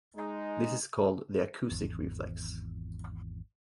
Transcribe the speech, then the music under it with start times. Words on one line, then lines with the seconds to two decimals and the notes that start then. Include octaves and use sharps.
This is called the acoustic reflex.
0.15 G#3 D#4
1.72 G#1 E2